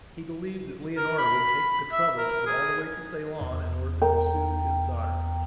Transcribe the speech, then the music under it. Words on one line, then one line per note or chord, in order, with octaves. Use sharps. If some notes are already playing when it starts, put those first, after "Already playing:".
He believed that Leonora would take the trouble to go all the way to Ceylon in order to soothe his daughter.
A#4
B5
E5
A#4
G#4
E2
A#4 G5